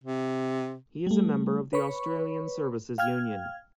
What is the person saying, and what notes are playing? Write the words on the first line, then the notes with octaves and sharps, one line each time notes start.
He is a member of the Australian Services Union.
C3
G3 A3
B4 C#5 B5 C#6
F5 G5 F6 G#6